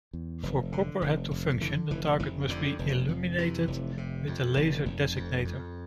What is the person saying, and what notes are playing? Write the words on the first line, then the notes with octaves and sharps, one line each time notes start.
For Copperhead to function, the target must be illuminated with a laser designator.
E2
F1
D3
F1
F1
D3 E3
F1 E3
F1 E3
F2 D3
F1
F2
C3 E3
F1
C3
F2
F1
F1
F2
F2